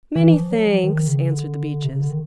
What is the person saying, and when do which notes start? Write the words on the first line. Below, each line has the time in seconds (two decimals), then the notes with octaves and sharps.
"Many thanks," answered the Beeches.
0.16 E3
0.33 F3
0.50 F#3
0.67 F3
0.84 D#3
1.07 C#3
1.29 D3
1.84 C3
1.93 C#3
2.02 D3
2.11 D#3